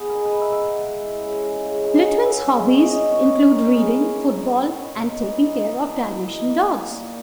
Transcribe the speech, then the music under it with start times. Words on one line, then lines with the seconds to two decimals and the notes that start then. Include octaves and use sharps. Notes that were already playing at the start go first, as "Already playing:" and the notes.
Lytvyn's hobbies include reading, football, and taking care of dalmatian dogs.
Already playing: B3 G#4
0.09 A#4
0.15 D#4
0.25 B4
0.36 D#4
0.41 E5
0.52 B3 E5 F#5
0.78 G#3
0.99 E3
1.21 C#3
1.42 G#3
1.63 C#3
1.84 D#4 G#5
2.05 G#3 F#5
2.26 C#3 E5
2.47 C#4 E5
2.68 C#4 D#5
2.89 D#3 D#5
3.10 D#3 C#5
3.32 C#4
3.42 A#4
3.53 D#3
3.74 E4 G#4
3.95 A#3
4.16 A#3
4.37 B2
4.58 B2
4.79 B2
5.00 D#4
5.22 E3
5.43 D#4
5.64 D#4
5.85 E3
6.06 E3
6.27 A#3 D#5
6.48 A#3
6.70 A#3
6.90 A#2